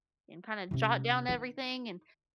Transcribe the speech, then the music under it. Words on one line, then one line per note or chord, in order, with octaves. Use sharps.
and kinda jot down everything and,
C3 C#4
D#4